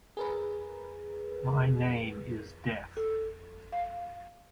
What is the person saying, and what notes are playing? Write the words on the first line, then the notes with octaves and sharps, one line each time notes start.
My name is death!
G#4 A#4 B4
A4
F5